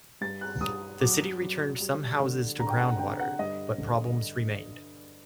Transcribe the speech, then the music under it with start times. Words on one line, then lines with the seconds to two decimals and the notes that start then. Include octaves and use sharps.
The city returned some houses to ground water, but problems remained.
0.21 G2 A6
0.41 F#6
0.61 G2 D#6
1.01 F#3 D6
1.41 F#3
1.80 G3
2.20 D3
2.60 D3 A#5
2.70 G5
2.80 F#5
2.99 D3 G5
3.20 F#5
3.39 G2 D#5
3.78 D3